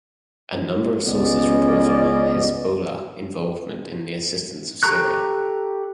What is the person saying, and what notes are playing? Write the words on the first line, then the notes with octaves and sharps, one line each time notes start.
A number of sources report on Hezbollah involvement with the assistance of Syria.
C#2 B3 C#4 D5 D#5
G4 A4 A#5 C#6 F#6